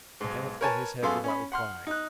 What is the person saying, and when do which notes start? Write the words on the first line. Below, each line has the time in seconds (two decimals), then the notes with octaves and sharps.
Kenneth bent his head without replying.
0.21 B1 G#2
0.61 A#4 B4 C#5 G#5 A5
1.02 F#2 B3 G#4 A4 F5 C6
1.24 C#4 B5
1.52 F#5 C6 F6
1.87 D#4 F#6